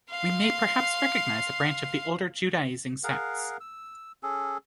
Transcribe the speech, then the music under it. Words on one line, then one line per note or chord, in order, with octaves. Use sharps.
We may perhaps recognize a branch of the older Judaizing sects.
F5 C6
G#4 A#4 F5 F#5
E6
C#4 G#4 A4